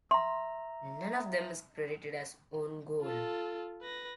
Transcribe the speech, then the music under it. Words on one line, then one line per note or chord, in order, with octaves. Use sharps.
None of them is credited as own goal.
E5 A#5 C6
F4 A4
B4 A#6